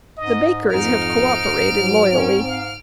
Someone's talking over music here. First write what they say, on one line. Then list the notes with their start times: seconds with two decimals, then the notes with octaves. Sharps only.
The bakers have co-operated loyally.
0.17 G#2 D#5
0.73 F2 G#2 D#4 F6 D7
1.79 F#3
2.12 C4 C#4
2.48 F5